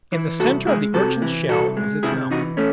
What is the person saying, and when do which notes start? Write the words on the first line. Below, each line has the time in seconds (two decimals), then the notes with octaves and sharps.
In the centre of the Urchin's shell is its mouth.
0.12 E3
0.40 C2 F#4 A4
0.67 G#3 E4 G#4
0.94 C3 F#4 A4
1.22 E3
1.49 C2 F#4 A4
1.77 G#3
2.03 C3 E4 G#4
2.31 E3 D#4 F#4
2.57 A3 C#4